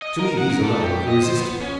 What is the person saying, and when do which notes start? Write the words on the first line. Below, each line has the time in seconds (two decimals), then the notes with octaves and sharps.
To me these alone are irresistible.
0.02 D#5
0.19 A#4
0.38 F#5
0.50 A#4
0.64 A3
0.83 G4
1.08 D#5
1.23 C5
1.37 B3
1.61 C#4